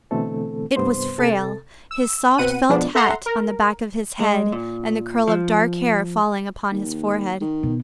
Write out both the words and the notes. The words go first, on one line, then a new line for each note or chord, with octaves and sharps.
It was Frale, his soft felt hat on the back of his head and the curl of dark hair falling upon his forehead.
B2 D3 E3 A3 C4 A4
G2 C3 B3 C5 C6
C3 A4 A6
E6
B2 C4 B4 F#5 D#7
B2 F3 G#3 B3 D4
A4 E5 F#5 A#5 C6
A#4
G#3
A#2
F3
D#2
D#3
B2